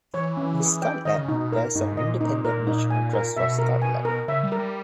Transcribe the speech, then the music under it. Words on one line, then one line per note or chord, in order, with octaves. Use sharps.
In Scotland, there is an independent National Trust for Scotland.
E3 C#5
C#4
G#4
G5
D#3 D#5
C#3
B2 D#4
B2
A#2 A#4
G2 D#4
G#2
A#2 D#5
A#2 D#4
A#2 A#4
D#4
G#5
A#4
B2 E5
A#4
G#5
A#4
C#3 E5
G3
A#4
G3